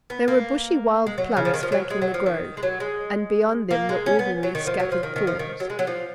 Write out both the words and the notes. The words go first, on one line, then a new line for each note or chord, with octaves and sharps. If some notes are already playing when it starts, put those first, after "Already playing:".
There were bushy wild plums flanking the grove, and beyond them the ordinary scattered thorns.
B3
A#3
G#3
F#3
C#3
F3
D#3
F3
F#3
G#3
F#3
F3
D#3
G#3
F#3
G#3
A#3
G#3
C#4
B3
F#3
D#3
F3
F#3
F3
D#3
D#3
F3
D#3
F#3
G#3
F#3
F3